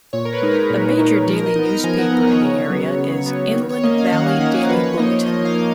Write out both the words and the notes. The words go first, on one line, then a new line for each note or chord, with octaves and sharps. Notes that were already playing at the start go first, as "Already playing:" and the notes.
The major daily newspaper in the area is "Inland Valley Daily Bulletin".
A#2 C#5
A#4
B4
G#3 D#4
A#4
A#2
G#3 D#4
F3 A#4
D#5
B3 D#4
A#5
F3 G#5
F#5
B3 D#4
C#5
C#3
F#3 B3
C#3
F#3 B3
D#3
C#5
A#3 C#4 D#5
F5
D#3 F#5
G#5
A#3 C#4 F#5
A#4
F3 B4
C#5
A#3 D#4 D#5
D#5
F3 D#5
F5
A#3 D#4